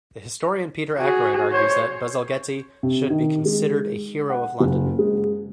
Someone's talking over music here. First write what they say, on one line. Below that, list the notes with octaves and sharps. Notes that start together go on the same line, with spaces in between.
The historian Peter Ackroyd argues that Bazalgette should be considered a hero of London.
F#4 G#4
C5 C#5
C3
D#3
G#3
F#5
F#1
G#3